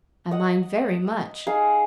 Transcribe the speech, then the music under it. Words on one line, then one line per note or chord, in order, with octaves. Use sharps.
I mind very much.
D#5 F#5
D#4 G#4 F5 G#5